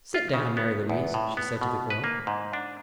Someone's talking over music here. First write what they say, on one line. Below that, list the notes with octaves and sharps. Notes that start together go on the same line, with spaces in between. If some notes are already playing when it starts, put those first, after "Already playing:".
"Sit down, Mary Louise," she said to the girl.
F4
C#3
B3
E2
A2
B3
B2
B4
A#3
G#2
D4